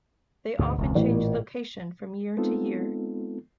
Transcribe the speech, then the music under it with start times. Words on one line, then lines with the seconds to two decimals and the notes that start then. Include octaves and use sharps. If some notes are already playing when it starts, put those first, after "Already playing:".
They often change location from year to year.
0.59 D2 G#2 B2
0.78 E1 C#2
0.95 A1 A#2
2.37 G#3 B3 C4 D#4 F4 A4